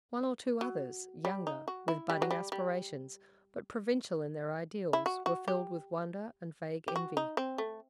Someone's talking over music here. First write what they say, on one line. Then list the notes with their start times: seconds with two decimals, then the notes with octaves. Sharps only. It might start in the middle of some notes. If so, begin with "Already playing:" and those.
One or two others, younger, with budding aspirations, but provincial in their ideals, were filled with wonder and vague envy.
0.61 F#3
1.25 G3
1.47 D#4
1.68 F#4
1.88 E4
2.10 G3
2.22 F#3
2.31 G3
2.52 G3
4.93 E4
5.06 F#4
5.26 F#4
5.48 G4
6.88 G4
6.96 F#4
7.17 D#4
7.37 C4
7.58 A3